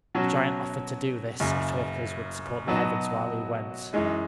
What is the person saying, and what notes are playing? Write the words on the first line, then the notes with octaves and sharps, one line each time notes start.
The giant offered to do this if Hercules would support the heavens while he went.
B2 F#3 C#4 F#4
F#1 F#2 C#3
B2 F#3 B3 D#4 F#4
F#2 E3 G#3 D#4